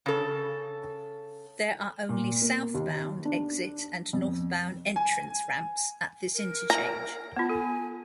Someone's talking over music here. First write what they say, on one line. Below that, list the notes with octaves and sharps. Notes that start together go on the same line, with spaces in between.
There are only southbound exit and northbound entrance ramps at this interchange.
C#3 A4
A#2
A#3
D#2
D4
F2
G#5
A#4
A#5
B3 F4 A5
A4 G#5